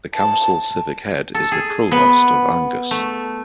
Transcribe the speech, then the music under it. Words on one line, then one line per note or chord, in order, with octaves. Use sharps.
The council's civic head is the Provost of Angus.
A5
A4
G#4
B3
A3